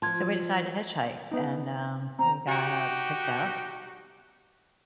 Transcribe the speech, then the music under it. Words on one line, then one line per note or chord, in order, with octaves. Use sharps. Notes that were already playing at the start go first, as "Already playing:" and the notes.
So we decided to hitchhike, and, um, we got, uh, picked up,
F3 F4 A5 C6 G#6
B3 D#4
C4 A#5
D#4 F#4 G4